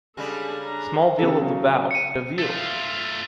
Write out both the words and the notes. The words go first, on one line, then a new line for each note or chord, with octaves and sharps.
Small Veal of the Vau... deville!
C#3 G3 G#3 D4 A4
D4 A#5
C#3 G4 A4
C#3 F#3
C#7 D#7
A3 F4